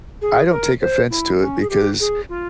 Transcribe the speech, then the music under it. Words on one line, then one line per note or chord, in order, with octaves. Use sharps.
I don't take offense to it because,
G#4
A#4
C5
E4
C#4
G#4
G4
G#4
F4